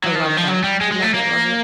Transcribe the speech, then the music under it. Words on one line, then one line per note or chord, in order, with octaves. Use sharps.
I love that, love it, love it.
F#3
F3
D#3
F3
F#3
G3
G#3
G#3
A3
A#3